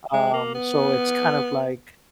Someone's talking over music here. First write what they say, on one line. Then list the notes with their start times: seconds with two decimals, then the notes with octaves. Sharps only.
Um, so it's kind of like,
0.13 G#3
0.33 A#3
0.54 B3